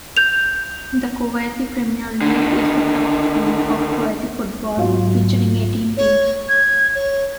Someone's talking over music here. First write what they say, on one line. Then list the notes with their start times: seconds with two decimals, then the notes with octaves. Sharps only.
The Kuwaiti Premier League is the top league of Kuwaiti football, featuring eighteen teams.
0.17 G6 F7
2.21 D3 D#3
4.77 G#2 F#3 F4
5.97 C#5
6.49 G#6
6.95 C#5